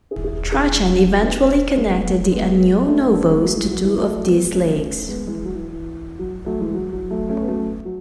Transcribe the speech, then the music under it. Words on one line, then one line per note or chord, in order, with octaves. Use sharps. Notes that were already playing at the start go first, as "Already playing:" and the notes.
Trajan eventually connected the Anio Novus to two of these lakes.
E4 G#4
E4 G#4
E4 G#4
C#4 E4
B3 D4
G#3 B3
G#3 B3
A3 C#4
A3 C#4
B3 D4
G#3 B3
F#3 A3
E3 G#3
F#3
E3 G#3
F#3 A3
G#3 B3
A3 C#4
G#3 B3
E3 G#3
F#3
E3
E3
F#3
F#3 A3
E3 G#3
F#3
F#3
F#3 A3
A3 C#4
B3
F#3 A3
F#3